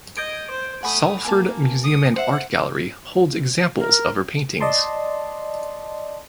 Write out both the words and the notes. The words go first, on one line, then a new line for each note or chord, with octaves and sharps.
Salford Museum and Art Gallery holds examples of her paintings.
D#5 G6 G#6 D7
C5
A3 F#5 G#5 B5 D#6
A#3 G#5 A5
D#6
C5 E5 F#5
A#4
D5 D#5 A5 C6